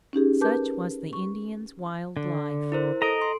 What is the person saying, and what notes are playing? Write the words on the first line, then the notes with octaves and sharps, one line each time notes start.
Such was the Indians' wild life!
C#4 D#4 G4 G#4
A#4 B4 A5 D6 G6
C#6
D3
E4 A#4 C5
A4 D#5 A#5 D7
C6